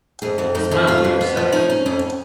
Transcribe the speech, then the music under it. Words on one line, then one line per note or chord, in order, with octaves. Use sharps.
Smile to yourself.
F2 G#4
F2 F#4
F2 D#4
F2 D#4
F2 F4
F2
B3
F3
C#4 D#4
C#4
F2 C#4